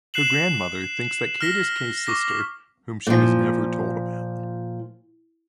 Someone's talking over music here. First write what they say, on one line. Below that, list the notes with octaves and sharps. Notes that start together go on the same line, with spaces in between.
Her grandmother thinks that Kate is Kaye's sister whom she was never told about.
F#6 C7 E7 F#7
F6 A#6 B6
C#6 D6 A#6
A#2 F3